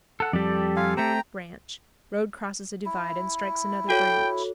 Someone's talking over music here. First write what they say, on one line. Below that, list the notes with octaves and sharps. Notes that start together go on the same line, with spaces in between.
Branch.--Road crosses a divide and strikes another branch.
A4 F#5
F2 G3 G4 A4 D5
F4 F5 G#5
A3 C4 G5 A#5
E4
F#4 A4 C#5 G5